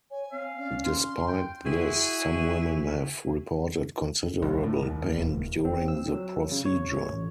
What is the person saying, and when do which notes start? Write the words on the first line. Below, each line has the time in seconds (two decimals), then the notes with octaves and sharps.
Despite this, some women have reported considerable pain during the procedure.
0.11 C#5 G#5
0.32 C4 F5
0.58 C#4 D5
0.83 C6
1.28 G5
1.66 E4 F#4 G#4
4.42 C2
4.63 A2
4.83 D#2
5.17 D#1
5.65 C4
5.88 E6
6.14 F#3
6.52 C#3
6.65 C#5
7.12 A1